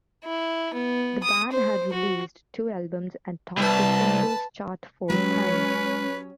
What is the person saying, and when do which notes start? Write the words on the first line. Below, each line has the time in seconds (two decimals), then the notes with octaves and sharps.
The band had released two albums and topped the singles chart four times.
0.24 E4
0.74 B3
1.23 D#6
1.52 C5
1.93 F#4
3.57 C2 B4 A5
5.10 F#3 G#3 C#4 G4 B4